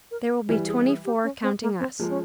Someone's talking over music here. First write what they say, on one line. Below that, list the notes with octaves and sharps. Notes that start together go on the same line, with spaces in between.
There will be twenty-four, counting us.
A#4
E3 G3 A#4
G#4
G#4
G4
C#4
C4
A#3
C4
F3 G#3 A#3
C#4